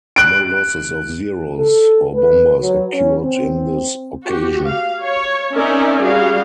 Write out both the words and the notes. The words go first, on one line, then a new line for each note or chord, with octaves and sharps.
No losses of Zeros or bombers occurred on this occasion.
F#6 D7
A4
B4
F#3
C#4
C4
F#4 G4
F5
C#5
C4 C#4 D#4 A#4 D5 E5
G3 F#4 G#4 F5